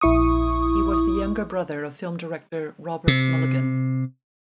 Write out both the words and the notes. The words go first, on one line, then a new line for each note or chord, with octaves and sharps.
He was the younger brother of film director Robert Mulligan.
A#1 E4 C#6 D#6
C3